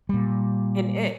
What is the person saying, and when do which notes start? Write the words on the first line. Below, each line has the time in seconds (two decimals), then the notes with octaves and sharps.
And It.
0.09 A#2 G3